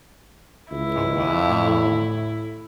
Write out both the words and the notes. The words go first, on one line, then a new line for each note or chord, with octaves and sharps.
Oh wow.
C#2 E4
A2